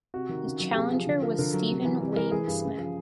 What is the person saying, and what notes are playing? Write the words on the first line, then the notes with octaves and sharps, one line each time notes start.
His challenger was Steven Wayne Smith.
C3 F#4
D#3
C#3
F#3
G4
C3 G#4
F3
D3
F3 A#4
D3 A#4
F#3
C3
E3
C3
E3 A#4
E3 G#4
G2
C#3
F3